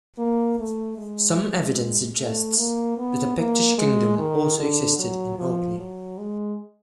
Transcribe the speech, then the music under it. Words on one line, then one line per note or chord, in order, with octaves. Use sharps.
Some evidence suggests that a Pictish kingdom also existed in Orkney.
A#3
A3
G#3
A3
A#3
B3
A#3
G#3
D#3
D3
F#3
F3
F#3
G#3